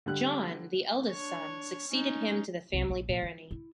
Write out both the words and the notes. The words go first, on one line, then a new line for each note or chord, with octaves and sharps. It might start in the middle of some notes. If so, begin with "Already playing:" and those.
John, the eldest son succeeded him to the family barony.
D3 G3 F#6
D4 C#5
C#4 D#4
C2
A#1
A#2
F3
E4